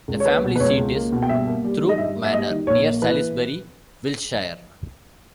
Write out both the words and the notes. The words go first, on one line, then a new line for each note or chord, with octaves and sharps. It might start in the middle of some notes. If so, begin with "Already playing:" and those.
The family seat is Throope Manor, near Salisbury, Wiltshire.
C#2
C#5
A#3 B4
B2
B4
C#2 C#5
C#2
A#3
B2
G5
G2 E5
A#3
G3
D#3
D#5
G2 E5
A#3
E5
G3 D#5
D#3
A#1 C#5
A#3
E3 B4